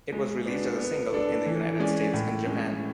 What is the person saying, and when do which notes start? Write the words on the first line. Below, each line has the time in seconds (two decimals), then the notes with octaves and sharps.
It was released as a single in the United States and Japan.
0.12 G#3
0.46 B3 D4 F#4
0.79 B3
1.13 D4 A4 D5
1.46 E3
1.79 G#3 C#4 G#4 D5
2.13 A2
2.46 G#3 C#4